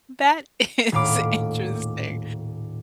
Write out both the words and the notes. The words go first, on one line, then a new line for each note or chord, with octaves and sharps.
That is interesting.
D#1 A2 F5 B5 D6